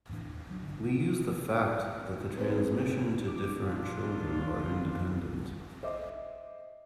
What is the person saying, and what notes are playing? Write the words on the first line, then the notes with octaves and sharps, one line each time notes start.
We use the fact that the transmission to different children are independent.
E2 A2 E3 D4
D#2
D1 F#3 D4
G1 D3
C4 G#4 B4 C5
D6
A#2 D4 F4
D#3
C5 D#5 E5 D6